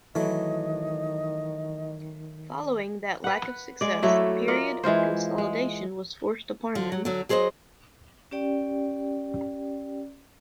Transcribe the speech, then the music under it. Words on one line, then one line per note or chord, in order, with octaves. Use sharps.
Following that lack of success, a period of consolidation was forced upon them.
D#3 E3 F#3 A3 D#5
B4 F#5
G#3 D5
F#3 A3 E4 A4
F4 A#4 D5 D#5
E3 G#3 F4 C5
G#3
D3 F3
F#3
D3 F#3
F#3 G#4 C5 C#5 D#5
C#4 G4 D5 G5